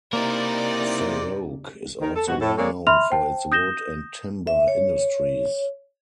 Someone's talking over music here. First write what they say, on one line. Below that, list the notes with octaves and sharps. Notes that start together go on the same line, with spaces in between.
Feroke is also well known for its wood and Timber industries.
C3 A#3 D#4 E4 A#4 D5
D#3 A#4
A4
G2 B2 F3 F#4
A2 A4
G#3 A#3 C4 G#4 C#5 D5
E5 B5 C6 F6 F7
C5 G5 A5
D#6 G6 A#6 E7 G7
E5
C#5